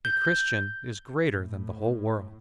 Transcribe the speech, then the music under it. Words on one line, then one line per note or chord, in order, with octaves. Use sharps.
A Christian is greater than the whole world.
G6
A2